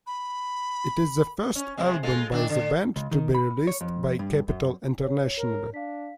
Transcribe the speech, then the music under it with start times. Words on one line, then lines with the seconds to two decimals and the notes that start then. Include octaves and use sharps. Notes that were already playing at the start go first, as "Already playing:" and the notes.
It is the first album by the band to be released by Capitol internationally.
0.07 B5
1.55 C#4
1.78 C3 F3 G#3
2.03 G#3 F4 A4
2.32 D#3 D4
2.50 D3
2.96 C#2
3.11 D#3
3.35 B5
3.67 C#5
3.81 F2
4.19 G2
4.48 F#2
5.01 C#5
5.38 A#4
5.74 D4 F5 B6